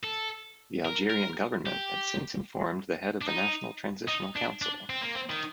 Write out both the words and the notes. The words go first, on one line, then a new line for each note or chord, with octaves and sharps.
The Algerian government had since informed the head of the National Transitional Council.
A4
A#4
A#4
G4
D4
D#4
D#4
D4
D4
C4
A#3
C4
D#3